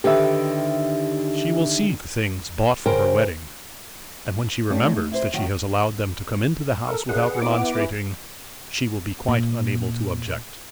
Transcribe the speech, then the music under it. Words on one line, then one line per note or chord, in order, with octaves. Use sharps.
She will see the things bought for her wedding, and when she remembers that she has allowed them to come into the house without remonstrating, she will be quite unable to object.
D3 D#3 G4 B4 E5
C#3 A#4 C5 G5
G3 A3 C#4 D#4 A4
D#4
E4 C5
D2 D#3 F#3
A4 A#4
C#2 F#2 G#4 F#5
A#2 B3
D3 E3 F#3 B3 E4 D6
F#5
E3
A#2